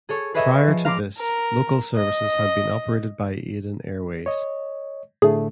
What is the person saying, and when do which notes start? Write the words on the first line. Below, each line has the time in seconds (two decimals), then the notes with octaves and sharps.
Prior to this, local services had been operated by Aden Airways.
0.09 G#4 A4 C#5
0.34 G#4 B4 C#5 D#5 E5 G#5
0.67 F3
0.85 F5 A#5 C6 D6
1.19 A#4
1.96 D#5
4.26 C#5 D#5
5.22 A2 D3 A3 G#4